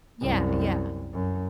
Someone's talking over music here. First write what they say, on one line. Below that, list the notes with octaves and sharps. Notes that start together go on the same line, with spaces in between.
Yeah, yeah.
C2 F#2
F#2